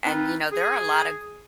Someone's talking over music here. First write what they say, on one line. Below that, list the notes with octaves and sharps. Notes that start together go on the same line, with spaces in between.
and, you know, there are a lott g
C4 D#4 F4 B4
G#4